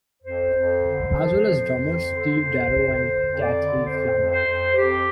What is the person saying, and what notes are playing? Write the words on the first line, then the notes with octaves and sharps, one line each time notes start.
As well as drummers Steve Darrow and Cathy Flanga.
F2 C5
F2
D3
F3
F2
F2
D3
F2
F2
D3 C5
F2
D5
D3
F2 C5
F2
C5
F2
F2 G4